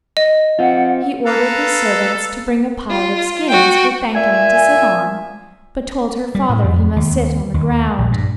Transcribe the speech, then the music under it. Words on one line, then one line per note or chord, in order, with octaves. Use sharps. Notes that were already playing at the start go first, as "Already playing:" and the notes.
He ordered his servants to bring a pile of skins for Thakane to sit on, but told her father he must sit on the ground.
D#5
C4 F4 F#5
A4 B4 F5 A#5
F4
F#4 G5
A#2 E5 G#5
G3
A2
F2
D#2
D#2
A#1
G2